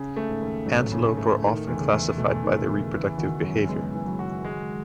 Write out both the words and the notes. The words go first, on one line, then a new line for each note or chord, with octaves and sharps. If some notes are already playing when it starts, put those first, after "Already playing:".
Antelope are often classified by their reproductive behavior.
Already playing: C#3
A3
G#2
D#2
G#2 F#3
A2
G#2
C#3
G#2
A3
A2 D#3
E2
C#3
E2
B2 A3
D#3
C#3
E2
C#3 E3
D#3 F#4
F#2 F#3
G#3 B3
E3
F#3
F#4
G#3